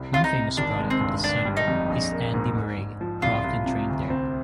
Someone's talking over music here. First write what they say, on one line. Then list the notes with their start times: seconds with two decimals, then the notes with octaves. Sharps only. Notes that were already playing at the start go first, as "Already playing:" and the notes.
One famous product of the centre is Andy Murray, who often trained there.
Already playing: C2 C3
0.13 C2 F4
0.24 D#4
0.35 C3
0.57 G#1 D4
0.79 G#3
0.90 C4
1.01 G2
1.24 G1 D4
1.45 G3
1.57 D#4
1.68 F2
1.90 A#1
2.12 A#3
2.34 G#2
2.56 G#2
2.78 G#2
3.01 F3
3.22 C2 F4
3.44 C2
3.66 C3
3.88 D2
4.10 C4